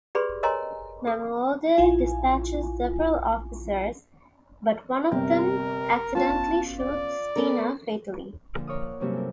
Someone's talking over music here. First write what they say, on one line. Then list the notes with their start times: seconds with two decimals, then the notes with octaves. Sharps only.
Mamuwalde dispatches several officers, but one of them accidentally shoots Tina fatally.
0.15 G4 G#4 B4 D5 B5 C6
0.43 A#4 C#5 D#5 G#5 A#5 C6
1.07 A4
1.78 A#1 E4 F4 G#5
5.12 G1 C3 G4 A#4 G5
6.15 B3 C#4 F4 A5
6.80 D5
7.36 B3 A4 A#4
8.55 A#2 D3 F3
8.67 A#4 C#5 D5 F5 D#6
8.82 F#5
9.00 G2 C3 F#3 A#3 C#4 E4
9.13 A4 A#4